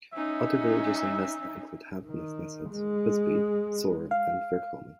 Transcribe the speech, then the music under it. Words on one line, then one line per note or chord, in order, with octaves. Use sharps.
Other villages in Nesna include Handnesneset, Husby, Saura, and Vikholmen.
C#4 D#4 E5
D#3
G#3
F5